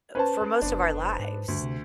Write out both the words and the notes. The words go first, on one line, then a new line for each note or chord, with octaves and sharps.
uh, for most of our lives.
C#4 B4 C5 A5
F#1 B3 D4
G#2
D2 G2
C3